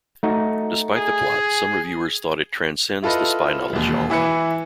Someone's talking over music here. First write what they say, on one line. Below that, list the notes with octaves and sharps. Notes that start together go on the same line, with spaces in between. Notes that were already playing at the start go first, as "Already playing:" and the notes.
Despite the plot, some reviewers thought it transcends the spy novel genre.
A3 D#4 F#4
G#4
E4 F4 A4 B4 D#5
E1 D#2
E3 E4 B4 C#7